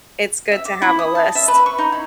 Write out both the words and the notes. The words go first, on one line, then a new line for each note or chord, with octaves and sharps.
it's good to have a list.
E5
D6
E4
D#6
A5
E5
B4
C#6
D#4
E4